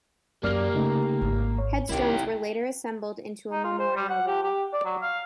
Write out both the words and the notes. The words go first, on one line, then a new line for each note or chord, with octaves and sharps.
Headstones were later assembled into a memorial wall.
F#2 D3 E3 A#3 G4 D5 F6
C#3 A3 D#4
G#1
C#5
C2 D#3 E4 G4
D#4
F4
C5
G3
F#5
G4
G4
D5
F#3
F5